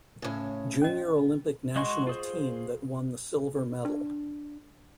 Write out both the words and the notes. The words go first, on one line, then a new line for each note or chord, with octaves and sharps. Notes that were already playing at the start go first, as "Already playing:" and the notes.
Junior Olympic National Team that won the silver medal.
A2 C#3 C#4
C#4 D#5
G#3 F#4 D#5 C6 C#6
F4 G#4 C5
D4